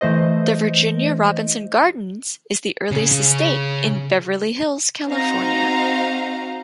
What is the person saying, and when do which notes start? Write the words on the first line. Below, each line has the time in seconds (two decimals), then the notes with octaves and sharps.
The Virginia Robinson Gardens is the earliest estate in Beverly Hills, California.
0.01 E3 A3 C5 D#5
2.92 C#3
5.07 C4 D#4 F#4 F5 A#5